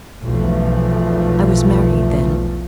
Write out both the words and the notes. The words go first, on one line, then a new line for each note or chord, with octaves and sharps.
I was married then.
B1 E2 E3 F3 A3